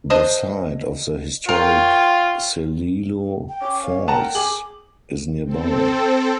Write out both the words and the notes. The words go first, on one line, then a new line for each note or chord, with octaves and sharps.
The site of the historic Celilo Falls is nearby.
D4 C5 D#5
F4 A#4 C#5 G5
G5
C#4 D6
C#5 F5
A#4 F#5 G5 A5 A#5
G#4 D6 F#7
C4 A4